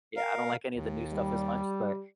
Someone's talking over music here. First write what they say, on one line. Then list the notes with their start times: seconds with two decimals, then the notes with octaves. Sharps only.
Yeah, I don't like any of the new stuff as much, but,
0.16 A#4 F5
0.75 D#2
1.13 G3